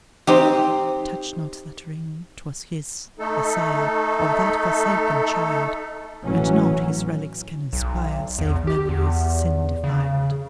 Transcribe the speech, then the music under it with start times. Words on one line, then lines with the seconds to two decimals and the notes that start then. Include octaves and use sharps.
Touch not that ring; 'twas his, the sire Of that forsaken child; And nought his relics can inspire Save memories, sin-defiled.
0.27 C4 D#4 G4
3.19 A3 D#4 A4
6.24 A1 E3 F#3 C#4
7.73 B1
8.39 E2
8.67 G4
8.89 E2
9.84 C#3